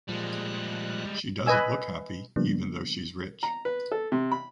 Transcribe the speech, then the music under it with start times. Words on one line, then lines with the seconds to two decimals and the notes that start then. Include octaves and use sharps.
She doesn’t look happy, even though she’s rich.
0.09 A#2 F3 G3 G#3 F#6
1.46 B4 D#5 G#5 E6
2.36 C#3 F3 G3 A#3 B3 D4
3.43 A#5
3.65 B4
3.92 A4
4.12 C3
4.32 B5